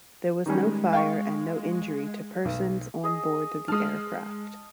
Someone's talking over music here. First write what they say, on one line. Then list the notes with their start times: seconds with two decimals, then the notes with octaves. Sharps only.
There was no fire and no injury to persons on board the aircraft.
0.46 D#3 G3 G#3 C#4
0.93 F5 G5 C#6
2.45 B1
3.03 G#4 D#5
3.68 G#3 A5 D#6 F6